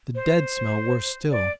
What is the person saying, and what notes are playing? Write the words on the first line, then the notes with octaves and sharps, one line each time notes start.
The dead smell worse still!
C5
D5